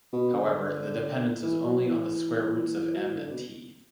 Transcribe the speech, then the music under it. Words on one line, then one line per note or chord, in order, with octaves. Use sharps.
However, the dependence is only on the square roots of "m" and "T".
B2
D3
E3
F#3
E3
F#3
E3
D3
B2